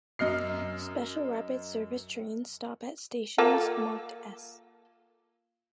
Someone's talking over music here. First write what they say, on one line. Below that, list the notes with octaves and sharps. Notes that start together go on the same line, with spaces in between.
Special Rapid Service trains stop at stations marked "S".
F#2 D#5 F6 C7
A#3 F4 A4